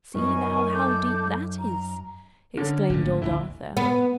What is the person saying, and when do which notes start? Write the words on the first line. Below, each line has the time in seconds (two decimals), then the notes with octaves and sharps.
See now how deep that is!' exclaimed old Arthur.
0.15 F#2 D#4 A#4 G#5 C#6
0.72 A4 D6 G6
1.59 A#5
2.57 D3 C#4
2.90 G#1 A#2 A3
3.22 A1 D2 D3 E4
3.77 B3